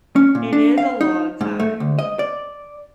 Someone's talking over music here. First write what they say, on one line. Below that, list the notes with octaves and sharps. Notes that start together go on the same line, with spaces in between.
It is a long time, yeah.
C#4
A#2
D4
F5
D#4
G#2
A3
D2
D#5
D5